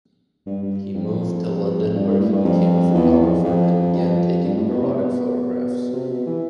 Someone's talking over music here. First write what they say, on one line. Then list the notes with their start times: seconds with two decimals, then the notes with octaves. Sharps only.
He moved to London where he became a photographer and began taking erotic photographs.
0.46 G2
0.63 G2
0.95 F2
1.95 G2
2.08 G2
2.20 A2
2.32 G2
2.45 F2
2.94 E2
3.20 F2
3.44 F2
3.94 F2
4.44 G2
4.57 A2
4.69 B2
4.82 C3
4.93 B2
5.93 C3
6.10 B2
6.26 E3